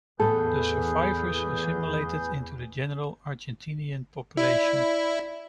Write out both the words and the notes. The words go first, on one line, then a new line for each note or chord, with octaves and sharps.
The survivors assimilated into the general Argentinian population.
E2 A2 A3 B3 G#4 A4 B4 G6
E4 D5